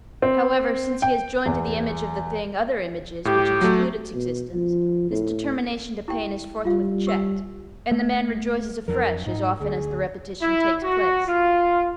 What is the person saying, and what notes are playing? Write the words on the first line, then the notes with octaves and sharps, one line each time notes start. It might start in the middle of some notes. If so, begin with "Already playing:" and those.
However, since he has joined to the image of the thing other images, which exclude its existence, this determination to pain is forthwith checked, and the man rejoices afresh as often as the repetition takes place.
C4
G5
E2
A2 G4
F#3 A3
B2
F3
A2
E4 G4 G5
G3 F4 F5
G4 E6
A3
F2 F#3 D4 A#4
G#2 D#4
D2 G#4
E4
F#4
F4